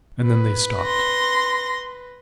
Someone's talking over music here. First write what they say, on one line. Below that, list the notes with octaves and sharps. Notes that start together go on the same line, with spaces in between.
And then they stopped.
B4
C6 A#6